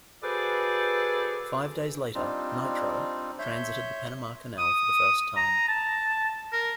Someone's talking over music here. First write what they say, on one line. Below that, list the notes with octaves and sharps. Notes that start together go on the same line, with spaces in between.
Five days later "Nitro" transited the Panama Canal for the first time.
F#4 G#4 A4 B4 C5 D5
G3 C4 D4 D#4 F4
C#5 E5 C6 G6
D#6
A#5
A5
A#4